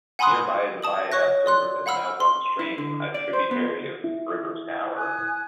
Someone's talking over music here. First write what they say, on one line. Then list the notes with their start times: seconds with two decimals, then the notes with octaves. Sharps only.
Nearby is a viaduct over the Nailbourne Stream, a tributary of the River Stour.
0.19 F#5 G#5 B5 C6 D#6 F#6
0.82 A5 D#6 F#7
1.12 C#5 C#6 F#6 A#6
1.46 D5 C6 F#6
1.86 F5 F#5 B5 E6 F6
2.20 C6
2.59 E4
2.78 D3
3.14 D5
3.33 C5
3.51 B3
4.04 E4
4.95 G#5 D#6 F#6